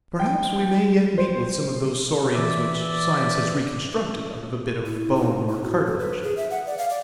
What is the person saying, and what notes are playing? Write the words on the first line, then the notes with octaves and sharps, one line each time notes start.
Perhaps we may yet meet with some of those saurians which science has reconstructed out of a bit of bone or cartilage.
G5
C5
E3 D5 E5
E4
D#4
E4
F#4
A4
B4
G#4
E5
F#5
D5
F5
D5